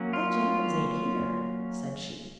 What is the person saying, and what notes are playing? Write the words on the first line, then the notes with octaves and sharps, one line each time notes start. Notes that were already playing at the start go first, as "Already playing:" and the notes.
"Old Jenkins ain't here," said she.
Already playing: F#3 A#3 C#4
F4